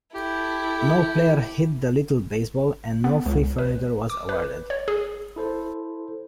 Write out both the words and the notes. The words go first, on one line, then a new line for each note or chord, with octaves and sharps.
No player hit the little baseball, and no free furniture was awarded.
E4 G4 A4
B3
C#2
B4
D6
B4
C#5
G#4
E4 A4 C5